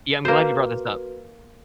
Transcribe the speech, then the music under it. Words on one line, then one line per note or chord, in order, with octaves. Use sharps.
Yeah, I'm glad you brought this up.
A#3 F#4 B4 C5